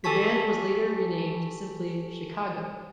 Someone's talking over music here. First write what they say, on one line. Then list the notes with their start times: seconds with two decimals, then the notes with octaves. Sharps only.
The band was later renamed simply Chicago.
0.04 G4 A4 G#5 A5 C#6 B6